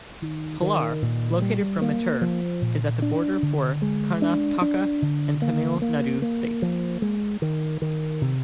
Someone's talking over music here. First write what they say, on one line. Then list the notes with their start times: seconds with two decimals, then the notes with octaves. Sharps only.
Palar, located from Mettur, is at the border for Karnataka and Tamil Nadu State.
0.22 D#3
0.62 D#3
1.02 A#2
1.42 G3
1.82 A#3
2.22 F3
2.61 A#2
3.02 D4
3.42 D3
3.82 G#3
4.22 D4
4.62 D4
5.02 D3
5.42 A#3
5.82 A#3
6.22 A#3
6.62 F3
7.02 G#3
7.42 D#3
7.82 D#3
8.21 C3